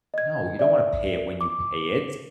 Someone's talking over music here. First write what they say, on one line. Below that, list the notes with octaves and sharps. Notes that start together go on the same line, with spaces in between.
No, you don't want to pay it when you pay it,
D#5 G#6
D5 E5
D6